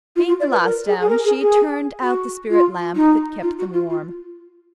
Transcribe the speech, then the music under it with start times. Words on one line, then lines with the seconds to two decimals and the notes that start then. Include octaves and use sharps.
Being the last down, she turned out the spirit-lamp that kept them warm.
0.15 F4
0.27 F4
0.39 D5
0.51 B4
0.63 A#4
0.86 G#4
1.00 G#4
1.09 A#4
1.24 G#4
1.41 G#4
2.02 F#4
2.49 F4
2.95 D#4
3.42 F4
3.58 F#4
3.73 F4
3.89 F4